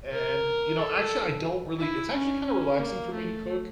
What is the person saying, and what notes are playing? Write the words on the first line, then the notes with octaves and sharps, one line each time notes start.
A and, you know, actually, I don't really it's actually kinda relaxing for me to cook,
A#4
A4
E4
C#4
C#4
A#3
A3